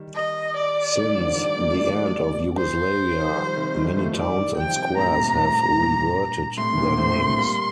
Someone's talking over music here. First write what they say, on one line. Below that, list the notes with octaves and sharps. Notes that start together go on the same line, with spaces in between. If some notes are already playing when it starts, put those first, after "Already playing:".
Since the end of Yugoslavia, many towns and squares have reverted their names.
Already playing: D#3 G3
D#5
D5
D#3 G3
D3 F3
D#3 G3
A#3
A3
G3
F3 A3
C5
D#3
F3
D#3 G3
C3 D#3
D#3 G3
F3 A3
D#3 G3 D5
D#3 G3
G5
F3
C3 D#3
A2 C3 A#5
G2 A#2
A2
A2
G2 A#2
A2 C3 C6
A#2 D3
A3 C4
A3 C4
G3 A#3